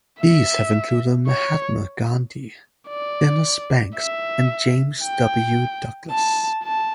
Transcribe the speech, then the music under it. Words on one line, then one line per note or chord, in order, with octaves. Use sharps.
These have included Mahatma Gandhi, Dennis Banks and James W. Douglass.
E5
C#5
D5
E5
G5
A5
A5